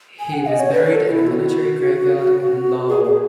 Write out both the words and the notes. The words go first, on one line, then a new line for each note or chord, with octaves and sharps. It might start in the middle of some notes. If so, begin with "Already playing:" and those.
He was buried in Military Graveyard in Lahore.
G#5
F#5
D#5
C#5
B4
B4
A4
E4
F#4
G#4
G#4